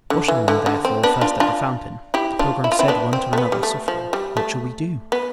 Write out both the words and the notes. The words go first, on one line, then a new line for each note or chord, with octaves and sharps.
Washing them, therefore, first at the fountain, the pilgrims said one to another softly, What shall we do?
D3
E3
D3
D3
C4
B3 D4
D4 F4
D4 F4
E4 G4
D4 F4
E4
F4
C4 E4
B3 D4
C4
A3
B3
G3
A3
F3
G3
A3
B3